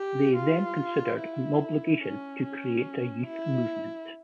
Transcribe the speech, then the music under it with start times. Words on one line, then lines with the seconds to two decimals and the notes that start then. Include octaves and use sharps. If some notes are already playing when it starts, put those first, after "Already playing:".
They then considered an obligation to create a youth movement.
Already playing: G4
0.36 F4
1.19 E4
2.02 C#4
2.44 C#4
3.26 E4